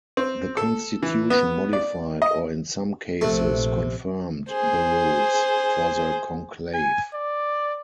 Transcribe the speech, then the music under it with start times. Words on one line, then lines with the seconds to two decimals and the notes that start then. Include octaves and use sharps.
The constitution modified or in some cases confirmed the rules, for the conclave.
0.17 C4
0.57 A4
1.03 E3
1.30 B3
1.73 D5
2.22 D#5
3.21 A#1 C3 A3 F#5
4.50 G#4 C5
6.74 G#5
7.14 D5